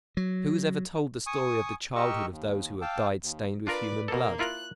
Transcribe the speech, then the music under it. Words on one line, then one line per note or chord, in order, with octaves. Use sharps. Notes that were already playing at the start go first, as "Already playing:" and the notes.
Who has ever told the story of the childhood of those who have died stained with human blood?
F#3
G#5 C#6 D#6
G4 A#4 D#5 C#6 E6
D#2
F5 G5 A5 D6 E6
D#2
D4 F4 A#4 B4 D5
B2 A#3 A4
E4 F4 A#4 F#6